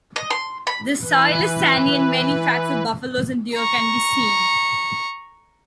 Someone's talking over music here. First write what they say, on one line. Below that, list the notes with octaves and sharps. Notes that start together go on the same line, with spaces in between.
The soil is sandy and many tracks of buffalo and deer can be seen.
D#5
C6
B5
E3 B4
A#5 C#6